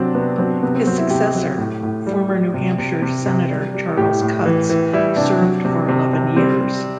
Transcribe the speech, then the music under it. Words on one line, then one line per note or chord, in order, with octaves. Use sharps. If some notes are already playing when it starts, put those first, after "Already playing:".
His successor, former New Hampshire Senator Charles Cutts, served for eleven years.
Already playing: C3 F#3 C4 D4
C3 B3
F#3 C4
C3 B3
C4
F#3 C4
E4
C3 G4
F#3
A2
A2
G3
G3
C3
C3
C3
C3
G3
G3
A2 G4
A2
E3
E3
G3 E4
C3 D4
F#3
C3
C3
C3
G3 C4
G3